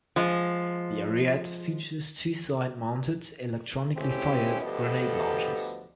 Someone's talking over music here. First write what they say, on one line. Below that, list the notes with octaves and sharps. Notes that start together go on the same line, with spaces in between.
The Ariete features two side-mounted, electronically fired grenade launchers.
F3 G#3
G#3 A3 C4 C#4 E4 G4
D2 F3 B3 G4 A4 D#5